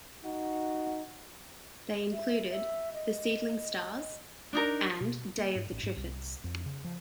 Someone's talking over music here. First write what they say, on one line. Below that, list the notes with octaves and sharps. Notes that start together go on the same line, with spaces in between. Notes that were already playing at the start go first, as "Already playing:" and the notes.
They included "The Seedling Stars" and "Day of the Triffids".
D#4 F#4
E5
E5
D#5
D4 D#4 A#4
B2
A#3
G#2
A1
G#2
C2
F2
C#3
F3